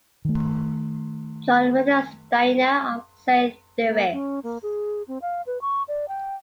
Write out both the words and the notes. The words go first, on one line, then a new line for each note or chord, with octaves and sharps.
John Rothensteiner of Saint Louis.
D#3 A3
A#3
C#4
A#3
G#4
C4
F5
B4
C#6
D5
G5